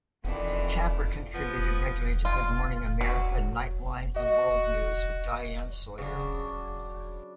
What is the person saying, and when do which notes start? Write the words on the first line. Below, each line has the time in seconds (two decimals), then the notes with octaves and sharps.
Tapper contributed regularly to "Good Morning America", "Nightline", and "World News with Diane Sawyer".
0.24 F2 D#3 E3 B3 D4
1.34 F3 B3
2.25 F4
3.01 F#3
4.16 F#4 D#5
5.98 C#3 F#3 D4